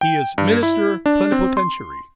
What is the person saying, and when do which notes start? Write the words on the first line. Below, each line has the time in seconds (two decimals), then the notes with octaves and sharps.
He is minister plenipotentiary.
0.01 G5
0.38 G2
0.63 E4
1.06 D4
1.32 C4
1.57 C6